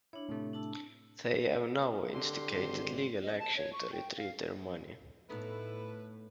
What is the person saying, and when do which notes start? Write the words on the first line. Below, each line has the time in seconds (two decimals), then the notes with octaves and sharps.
They have now instigated legal action to retrieve their money.
0.13 D4 E4 C#5
0.29 A2 C3 A3
0.53 D4 A5 E6
2.10 D3 G4 C6
2.55 G#1
3.23 D#5
3.39 A5
3.57 C#5
3.73 C#6
3.92 G5
4.17 F5
5.29 A2 A3 B3 D#4 E4 A4 B4